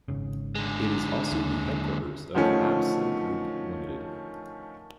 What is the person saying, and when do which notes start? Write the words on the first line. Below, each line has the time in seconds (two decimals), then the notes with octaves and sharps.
It is also the headquarters of Absa Group Limited.
0.08 G#1 G#2 C#3
0.55 D3 G#3
1.32 D#2
2.35 D3 D#3 F3 A3 C#4